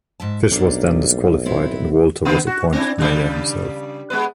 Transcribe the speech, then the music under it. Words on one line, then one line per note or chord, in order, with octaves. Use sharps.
Fish was then disqualified and Walter was appointed mayor himself.
G#2 E5 A5
B1 G3 A#3 D4
B3 C4 E4
C#3 B3
F#4
C4 D4 E4
C#3 G3 D4
G#3 B3 B4